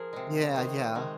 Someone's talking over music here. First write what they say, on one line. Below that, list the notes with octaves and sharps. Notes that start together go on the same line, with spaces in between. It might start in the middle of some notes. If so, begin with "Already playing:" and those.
Yeah, yeah.
Already playing: F3 G#4 A#4
C3 G#3
C3 D#3 G#3
C3 D#3 G#3